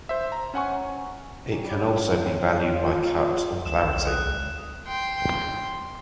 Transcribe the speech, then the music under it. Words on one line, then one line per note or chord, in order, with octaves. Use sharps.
It can also be valued by cut or clarity.
C5 E5
A#5
C#4 F#5 G#5 C#6
D#3 C#4 G4
G3 C#4 D5 F#5
D#3 C4 C#4
F3 G#3 F4
A#4 C#5 F5 C6
B3 G#4 C5
D2 E7
B1
D#6 F#6
C#2
G5 C6